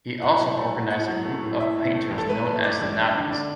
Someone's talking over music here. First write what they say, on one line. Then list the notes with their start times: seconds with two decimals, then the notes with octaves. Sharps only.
He also organized a group of painters known as The Nabis.
0.22 A2 F#5
0.39 F#3
0.57 A3
0.74 A2
0.90 A2 F#5
1.08 F#3
1.25 A3
1.42 A2
1.60 E4 E5
1.77 A2
1.94 A3
2.11 A1
2.18 A4
2.28 E4 B4
2.46 A2
2.64 A3 D5
2.81 A1
2.97 D4
3.15 D3
3.32 A3 D5